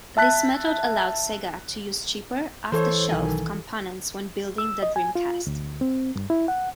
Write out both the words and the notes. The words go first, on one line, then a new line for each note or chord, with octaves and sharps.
This method allowed Sega to use cheaper off-the-shelf components when building the Dreamcast.
E5 A5 F#6 B6
E3 A4 C5 C#5
B1 D#3 G#5
E6
D#5
G#5
F4
D2
C4
G2
E4
F#5